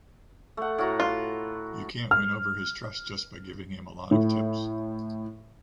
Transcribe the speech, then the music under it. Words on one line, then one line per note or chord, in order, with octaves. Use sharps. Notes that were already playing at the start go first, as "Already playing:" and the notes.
You can’t win over his trust just by giving him a lot of tips.
A3 F#5
A2 F#4 A#5
F4
F6
A2